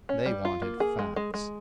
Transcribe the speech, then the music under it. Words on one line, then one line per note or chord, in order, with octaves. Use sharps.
They wanted facts.
C#4
G3
F4
A#3
G#4
G#3
G#3
G#3